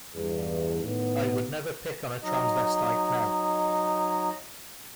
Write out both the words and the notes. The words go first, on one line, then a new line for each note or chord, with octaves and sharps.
I would never pick on a transvestite now.
E2 G2
A2 D#3 B3
F#3 D#4 D#5